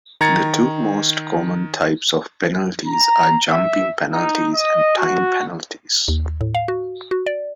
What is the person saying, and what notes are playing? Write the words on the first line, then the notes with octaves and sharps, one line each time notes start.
The two most common types of penalties are jumping penalties and time penalties.
D#3 A#5 G#6 A6 C#7
A#5
E5
D#4
D#5
F#4
D#2
A2
F5
F#4
F#4
D5